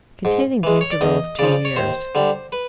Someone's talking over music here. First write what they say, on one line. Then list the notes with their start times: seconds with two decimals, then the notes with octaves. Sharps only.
Containing The Interval Of Two Years.
0.25 G#2
0.63 E3 G#3
0.81 C#5
0.91 D5
1.01 E2 D#5
1.39 C#3 F3 D5
1.65 C#5
1.76 D#2 C5
2.15 D3 G3
2.52 B4